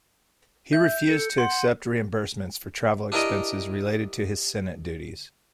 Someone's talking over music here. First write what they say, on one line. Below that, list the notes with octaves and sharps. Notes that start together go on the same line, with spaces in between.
He refused to accept reimbursements for travel expenses related to his Senate duties.
E5 G6
A4 C#7
F#5 C6
D4 E4 G4 A#4 D5 D#5